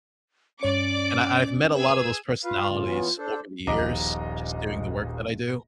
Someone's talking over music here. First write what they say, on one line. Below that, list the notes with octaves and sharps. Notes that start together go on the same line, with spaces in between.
and I I've met a lot of those personalities over the years just doing the work that I do.
G2 C#4 C#5 D5 D6 C#7
G#4 B4 E6 G#6
F4 B4 F5
A2 C#3
E3 B3 C#4
D4 A4 C5
D#1 A#1 D#5 A#5 D6